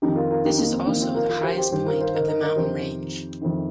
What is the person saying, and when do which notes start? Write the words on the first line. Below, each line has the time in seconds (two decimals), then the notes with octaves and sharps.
This is also the highest point of the mountain range.
0.02 F2 D#3 D#4 G4
0.16 F4 A#4
0.31 F4 A#4
0.44 D#4 G4
0.58 A#3 D#4
0.72 C4
0.86 F2 C3 D#3 A#3 D#4
1.01 C4 F4
1.15 F4 A#4
1.29 F4 A#4
1.43 G4 C5
1.57 G4 C5
1.71 G2 D#3 G4 C5
1.86 F4 A#4
2.00 C5 F5
2.14 A#4 D#5
2.28 A#4 D#5
2.43 A#4 D#5
2.56 F2 C3 D#3 G4 C5
3.42 F2 C3 D#3